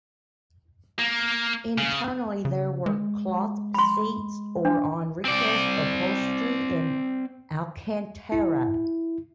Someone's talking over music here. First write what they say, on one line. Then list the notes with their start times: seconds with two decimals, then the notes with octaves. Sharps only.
Internally there were cloth seats or, on request, upholstery in Alcantara.
0.99 A#3
1.78 C#3
2.45 C#3
2.86 G#3
3.74 B5 C6
4.65 D4
5.25 C4 D5
8.32 E4